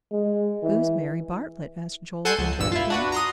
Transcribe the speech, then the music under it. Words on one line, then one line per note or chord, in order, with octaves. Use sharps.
"Who's Mary Bartlett?" asked Joel, interrupting.
G#3
E3
A4 F#5 G#5 A5 C6 G6
C#2
G1 G2 A#2 E6
E4 F4
D4 F#4 B4
A#5 C6 D#6